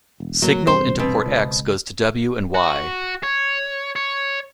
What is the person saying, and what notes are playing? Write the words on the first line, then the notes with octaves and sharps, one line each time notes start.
Signal into port X goes to W and Y.
E1
A2 F#3 A#3
E2 G2 C3 C5
B2 C4
C#2
F#4
C#5
C#5